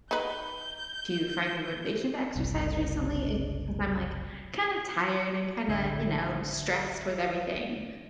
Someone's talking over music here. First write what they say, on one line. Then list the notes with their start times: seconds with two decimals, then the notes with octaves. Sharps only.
to find the motivation to exercise recently is because I'm, like, kinda tired and kinda, you know, stressed with everything,
0.11 D#4 B4 G6
2.36 F#1 C2
5.67 A1 D2 D3 E5 G6 G#6